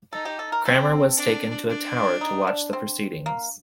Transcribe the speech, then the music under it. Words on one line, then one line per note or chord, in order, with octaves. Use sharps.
Cranmer was taken to a tower to watch the proceedings.
D#4 A4
G4
A4
A#4
C4 A4
D4
D4
D#4
D4
C4
A#3